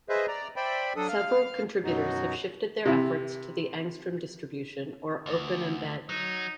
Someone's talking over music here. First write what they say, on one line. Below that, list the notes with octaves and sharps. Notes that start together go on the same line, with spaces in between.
Several contributors have shifted their efforts to the Angstrom distribution or OpenEmbedded.
G#4 B4 C5 D#5 E5
D5 A#5
C5 D5 E5 G5 B5
F#3 D4 A4 D#6
F5 F6
F#2 B2 F#3 D#4 F#4
C3 E4
D2
F#3 D#4